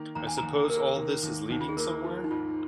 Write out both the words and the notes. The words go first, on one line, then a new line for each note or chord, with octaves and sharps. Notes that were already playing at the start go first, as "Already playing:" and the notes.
I suppose all this is leading somewhere?
Already playing: D#3 A#3
D#2 A#5
G#5
D#2 A#5
A#3 A#4
D#3
D#2
D#2 D#4
F4
G#4
A#3 A#4
F3
D#4
G#2 F4